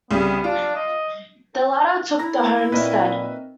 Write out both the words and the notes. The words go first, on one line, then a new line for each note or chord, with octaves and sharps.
The latter took the homestead.
C2 C#3 G3 B3
D4 F4
D#5
E4 A#5 A#6
A#2 C4 D#4 A#4 B4 D#5 E5